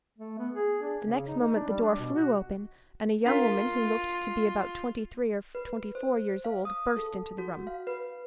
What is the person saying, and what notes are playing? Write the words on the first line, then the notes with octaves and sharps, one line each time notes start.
The next moment the door flew open and a young woman, who looked to be about twenty-three or twenty-four years old, burst into the room.
A3
B3
G#4
D4
C#3
D#4
D#4
D4
G3
D4
B2
F#4
D4 F4 A#4 F5
B4
C5
F5
D#6
A4
F#4
F5
B4